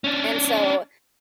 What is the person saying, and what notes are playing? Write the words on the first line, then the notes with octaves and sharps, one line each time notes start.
and so
C#4 D4